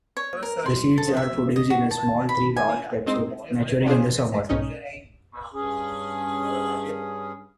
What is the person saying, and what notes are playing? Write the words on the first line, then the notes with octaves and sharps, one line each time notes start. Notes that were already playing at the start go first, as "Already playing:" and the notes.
The seeds are produced in a small, three-valved capsule, maturing in summer.
C#5
A#4
C6
A4
E5
D#5
F#4
A5
B5
G#5
G#3 C4 D#4 C5
C#4 D4 F4 G#4 C5
B1 G#2 C#4 D#4 D#5
G2 C#4 G#4